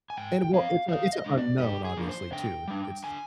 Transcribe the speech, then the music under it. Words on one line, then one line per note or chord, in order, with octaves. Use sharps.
And what it's a it's a unknown, obviously, too. It's
G#5
G#2 G5
G5
F3 C4 F5
D#3 F5
D#5
G#3 D4
D5
G2 G4
G#4
F3 A#3 D4
C5
D3 G5
G3 D4
D3 G#5